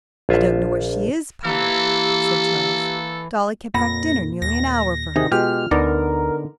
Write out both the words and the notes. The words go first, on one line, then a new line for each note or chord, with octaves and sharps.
"I don't know where she is, pater," said Charles. "Dolly kept back dinner nearly an hour for her."
A#1 F4 E5
E3 A#3 G4 A4
F2 A#2 F#5 B5 A#6
D#2 A#6
C3 D#3 D#4 G#4
B2 G#3 F4 G4 F6
D2 D3 B3 D#4 A#4 D5